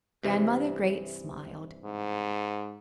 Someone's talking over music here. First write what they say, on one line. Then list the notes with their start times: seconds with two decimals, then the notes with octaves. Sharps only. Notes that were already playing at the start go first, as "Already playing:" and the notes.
Grandmother Great smiled.
0.23 G2 C3 E3
1.85 G#2